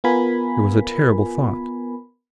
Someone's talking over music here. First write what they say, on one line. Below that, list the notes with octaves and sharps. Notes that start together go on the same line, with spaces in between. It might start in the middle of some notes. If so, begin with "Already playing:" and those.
It was a terrible thought.
B3 F4 A#4 G#5 B5